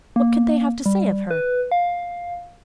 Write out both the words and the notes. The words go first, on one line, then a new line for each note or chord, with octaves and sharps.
What could they have to say of her?
A#3
G3
B4
F5